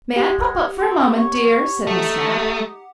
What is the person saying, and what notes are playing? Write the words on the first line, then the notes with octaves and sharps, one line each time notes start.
"May I pop up for a moment, dear?" said Miss Mapp.
G#3 G4 F#5
C4
C#5
A3 D#4